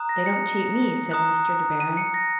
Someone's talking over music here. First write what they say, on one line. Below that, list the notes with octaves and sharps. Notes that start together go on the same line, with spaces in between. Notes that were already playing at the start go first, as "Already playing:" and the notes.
"They don't cheat me," said Mr. De Baron.
Already playing: A#5 D#6 F#6
A#6
C#7
A#5 D#6 F#6
D#7
C#7
A#6